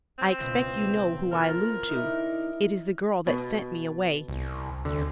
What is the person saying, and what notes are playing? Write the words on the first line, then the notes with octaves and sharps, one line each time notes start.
I expect you know who I allude to, it is the girl that sent me away.
C4
C#2 B2
C4 F4 A4 A#4
D#4 E4 D5
B2
C2
D2 D3